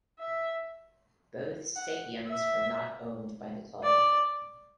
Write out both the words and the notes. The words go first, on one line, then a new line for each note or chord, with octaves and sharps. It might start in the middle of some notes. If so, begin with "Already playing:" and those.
Both stadiums are not owned by the club.
E5
F#5
E5
D5